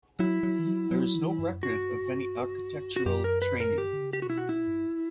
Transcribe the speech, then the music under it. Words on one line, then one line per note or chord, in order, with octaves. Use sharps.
There is no record of any architectural training.
F#3 E4
F#3
E3
F#3
F#3
E3
G2
F#2
G2 F#4
F#4
F#2 G4
A#4
B4
A#4
G2 G4
D3
C#3
G4
F#4
B2 E4
F#4
A#2 E4
G2